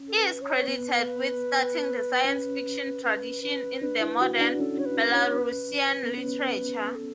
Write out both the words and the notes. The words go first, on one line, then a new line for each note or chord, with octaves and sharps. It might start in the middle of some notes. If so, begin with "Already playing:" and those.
He is credited with starting the science fiction tradition in the modern Belarusian literature.
Already playing: C#4
A4
B4
C#5
B3 B4
C#4
B4
B4
D4 B4
E4
B4
F#4
B4
D4
C#4 A4
C#5
B4
C#5
B4
B3
C#4
A4